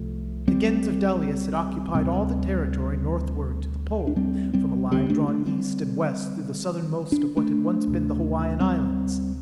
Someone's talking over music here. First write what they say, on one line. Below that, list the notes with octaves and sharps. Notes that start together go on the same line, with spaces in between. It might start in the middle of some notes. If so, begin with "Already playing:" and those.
The Gens of Dalis had occupied all the territory northward to the Pole, from a line drawn east and west through the southernmost of what had once been the Hawaiian Islands.
Already playing: C2 C3 F3 A3
G3 C4
D2 C3 G3 C4
D4
G3 C4
G3 C4
D2 D3 G3 C4
A3 D4
A3 D4
G3 C4
D4
A3 D4
D2 C3
G3 C4